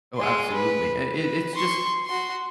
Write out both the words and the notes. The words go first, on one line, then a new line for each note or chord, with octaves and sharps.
Oh, absolutely, it it it's just
G#3 C6
B4
B4
C6 C#6
F#4 C6